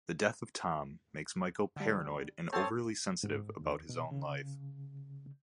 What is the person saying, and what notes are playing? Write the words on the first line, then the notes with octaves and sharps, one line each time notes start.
The death of Tom makes Michael paranoid and overly sensitive about his own life.
D3 G3
C4 A4 C#5 A5 D#6 A6 C7
G#2
D#2
B2
C#3